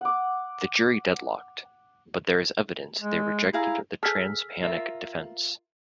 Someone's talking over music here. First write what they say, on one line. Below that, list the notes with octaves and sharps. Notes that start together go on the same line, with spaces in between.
The jury deadlocked, but there is evidence they rejected the trans-panic defense.
F#5 D6
G#3
E4 G#4 F5 A#5
G#4 A4 E6 F6 B6
F4 A#4 E5